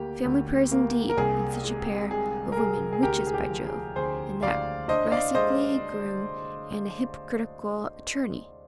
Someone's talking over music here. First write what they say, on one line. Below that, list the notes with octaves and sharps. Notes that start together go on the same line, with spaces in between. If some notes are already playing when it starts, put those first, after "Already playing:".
'Family prayers indeed! and such a pair of women--witches, by Jove!--and that rascally groom, and a hypocritical attorney!
Already playing: D2 A#3 G4
D2
A#3
A#4
C2 G#4
G#3
G#3 G#4
A#4
G#3 G#4
G#4
D2 G4 A#4
G#4
G4
F3
G#4
D2 G#4 C5
D2 D5 F5
D4 C5 D#5
D5 F5
G#3 C5 D#5